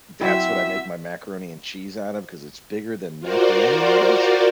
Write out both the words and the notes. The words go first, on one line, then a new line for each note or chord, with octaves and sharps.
that's what I make my macaroni and cheese out of because it's bigger than macaroni noodles
F#3 C4 E4 E5
F4 F#4 A#4 C5 D5